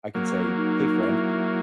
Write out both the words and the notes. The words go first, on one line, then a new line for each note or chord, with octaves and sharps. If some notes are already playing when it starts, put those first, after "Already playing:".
I can say, "Hey friend,
F#3 A#3
D#4
E4